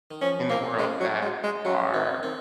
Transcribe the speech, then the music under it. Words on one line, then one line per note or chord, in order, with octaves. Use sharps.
in the world that are
D#3
F3 C#4
A#3 C4
G#3 C#4
F#3
G#3
G#3
F#3 C#4
D#3 C4
D#3 C4